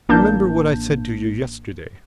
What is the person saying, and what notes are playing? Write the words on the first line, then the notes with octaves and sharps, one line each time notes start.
"Remember what I said to you yesterday."
A1 A#3 D4 A5 G6